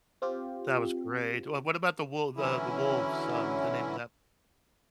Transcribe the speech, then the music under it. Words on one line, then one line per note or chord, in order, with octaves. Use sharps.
That was great. Wha what about The Wolv The The Wolves, um, the name of that?
C4 F4 G4
D3 E3 F#3 C#4 E4